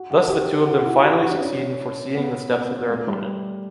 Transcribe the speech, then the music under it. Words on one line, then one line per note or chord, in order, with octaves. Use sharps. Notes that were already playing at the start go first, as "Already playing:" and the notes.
Thus the two of them finally succeed in foreseeing the steps of their opponent.
Already playing: F#4
F#4
G4
F#4
F#4
E4
F#4
G4
F#4
E4
D4
C#4
B3
C#4
B3
B3
B3
A3
G3